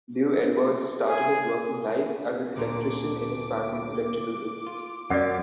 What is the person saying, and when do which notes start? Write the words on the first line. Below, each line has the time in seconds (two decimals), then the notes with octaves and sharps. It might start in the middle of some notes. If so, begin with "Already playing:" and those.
Llew Edwards started his working life as an electrician in his family's electrical business.
1.08 G#4
2.56 D2 A#2 D3 D6
4.66 F4
5.10 F#2 C#4 D5 F#5